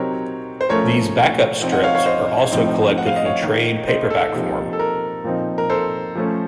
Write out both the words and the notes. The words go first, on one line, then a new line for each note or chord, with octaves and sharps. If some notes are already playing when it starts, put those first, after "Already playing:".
These back-up strips are also collected in trade paperback form.
Already playing: C3 F#3 C4 D#4 A#4 C#5
C5
F3 A3 C#4 A#4 C#5
F3 C4 D#4
D#5 F#5
C#5 F5
C#5 F5
C5 D#5
A2 F3 C4 D#4
F#5
F5
D#5
C#5 F5
D#3 A#3 D#4
C5 D#5
A4
C3 F3 A#3 D#4
A4
A#4
A#2 F3 C4 D#4
A#4
A4 C5
F3 A3 C#4